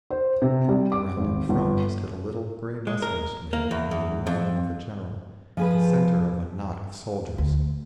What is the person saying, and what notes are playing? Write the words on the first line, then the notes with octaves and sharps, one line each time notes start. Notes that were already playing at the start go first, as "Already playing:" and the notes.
Around in front stood a little, grey-moustached man in the uniform of a general, the centre of a knot of soldiers.
C5
C3
G3
D6
G#1
G1
G#3
A#4
A#3
E2
E2
F2
F3 G#4 B4
D2